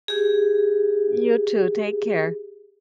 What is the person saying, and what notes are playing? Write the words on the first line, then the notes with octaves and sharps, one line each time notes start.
You too. Take care.
G4 G#4